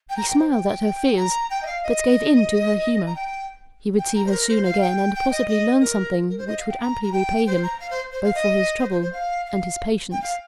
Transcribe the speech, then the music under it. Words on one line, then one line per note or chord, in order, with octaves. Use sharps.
He smiled at her fears, but gave in to her humour; he would see her soon again and possibly learn something which would amply repay him, both for his trouble and his patience.
G5
A#5
G5
C5
G5
A#5
G5
D#5
F5
D#5
A#5
G5
G5
A#5
C5
A#4
C5
F5
G5
G5
D#5
D#5
A#4
A#4
C5
D#5
F5
G5
A#5
A#5
G5
C5
A#5
F5
C5
C5
F5
D#5
C5
C5
C5
F5
F5
G5
F5